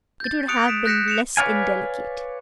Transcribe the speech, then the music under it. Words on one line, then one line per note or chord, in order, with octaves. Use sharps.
"It would have been less indelicate."
G6 A6
D#6 F#6 C#7 D7 F7
D#6 B6 D7 E7
F#6 G6 A#6 B6 C#7 E7
C#7 E7 F7
B4 C#5 D5 F5 G#5